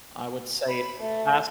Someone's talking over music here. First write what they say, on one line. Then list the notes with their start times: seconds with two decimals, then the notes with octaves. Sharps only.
I would say it has
0.68 B5
1.00 A3